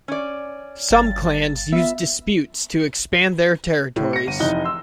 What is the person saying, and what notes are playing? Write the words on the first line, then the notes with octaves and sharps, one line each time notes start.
Some clans used disputes to expand their territories.
C#4 D5
G1 A6
B3 F4 E5
A2
A#6 C#7
G1 D#7
F1 E3 D#4 D#5 F#6 G7
C6 E6